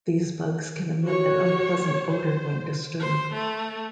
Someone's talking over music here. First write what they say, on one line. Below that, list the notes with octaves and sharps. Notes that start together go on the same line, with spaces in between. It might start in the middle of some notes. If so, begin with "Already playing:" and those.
These bugs can emit an unpleasant odor when disturbed.
F#4 G4 C#5
C5
C5
A3